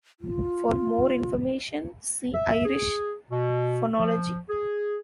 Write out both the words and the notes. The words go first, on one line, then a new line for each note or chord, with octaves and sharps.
For more information, see Irish phonology.
F4
E5
G#4
B2
F3
G#4